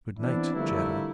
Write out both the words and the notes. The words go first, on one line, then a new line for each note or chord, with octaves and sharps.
"Good night--Jetta."
E3 B3 C4 D4 E4
D3 F3 G3 A3 A#3 E4